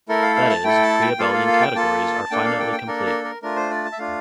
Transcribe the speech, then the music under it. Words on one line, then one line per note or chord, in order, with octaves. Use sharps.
That is, pre-abelian categories are finitely complete.
A3 E4 A4 A#4
F5
F5
A5
A3 E4 A4 G5
A5
G5
A#3 F4 A4 F5
F5
F5
G5
A#3 F4 A4 A5
A#3 D4 A4 G5
F5
G5
G5
A#3 D4 A4 A#4
A#4
A#4
A3 D4 F4 A#4
C5
D5
A5
E5
A3 D4 F4 F5